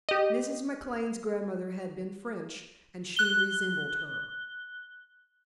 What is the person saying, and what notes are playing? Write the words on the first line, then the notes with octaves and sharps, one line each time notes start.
Mrs. McLane's grandmother had been French and she resembled her.
G4 D#5
F#6 G7